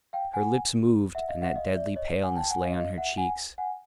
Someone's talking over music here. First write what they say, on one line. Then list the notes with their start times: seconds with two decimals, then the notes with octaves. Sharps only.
Her lips moved; and that deadly paleness lay on her cheeks.
0.13 F5 G5
0.34 F#5 G#5
1.15 E5 F#5
1.28 D#5 F5
1.42 E5 F#5
1.55 D#5 F5
1.75 D5 E5
1.96 C#5 D#5
2.23 F#5 G#5
2.36 G5 A5
2.50 F#5 G#5
2.63 D#5 F5
2.77 D#5 F5
2.97 E5 F#5
3.17 F#5 G#5
3.58 F#5 G#5